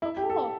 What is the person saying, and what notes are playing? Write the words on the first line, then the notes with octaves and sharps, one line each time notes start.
Oh, cool.
E4
G4
A4